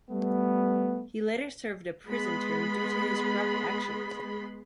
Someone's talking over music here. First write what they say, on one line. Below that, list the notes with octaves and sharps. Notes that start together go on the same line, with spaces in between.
He later served a prison term due to his corrupt actions.
G3 A3 B3
G#3 B3 B5 C6